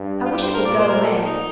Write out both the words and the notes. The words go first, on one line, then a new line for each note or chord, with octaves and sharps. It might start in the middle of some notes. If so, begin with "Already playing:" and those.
I wish it would go away.
Already playing: G2
F4
G2 G4
C5
A#4
A#2 D5
C5
A#4
A4
D#4